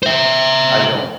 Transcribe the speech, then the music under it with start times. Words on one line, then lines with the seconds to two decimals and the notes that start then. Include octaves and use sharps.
I don't
0.03 C5 E5